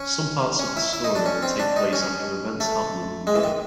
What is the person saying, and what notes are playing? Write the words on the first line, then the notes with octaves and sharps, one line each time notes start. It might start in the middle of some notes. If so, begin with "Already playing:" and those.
Some parts of the story take place after events happening in the game.
Already playing: C#4
C#4
E4
E4
D#4
D4
C#4
C4
D4
D#4
C#4
A3
G#3
E3
D#3